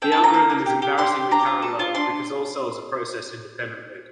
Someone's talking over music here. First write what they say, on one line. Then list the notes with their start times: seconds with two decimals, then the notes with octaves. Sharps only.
The algorithm is embarrassingly parallel, because all cells are processed independently.
0.02 A4 G5
0.12 A5
0.17 F4
0.24 A#5
0.34 A#3
0.50 A#3
0.66 G4
0.82 G4
0.98 G4 C6
1.14 G4
1.31 D4 A#5
1.46 F4
1.62 A4
1.79 F4
1.95 D4 C6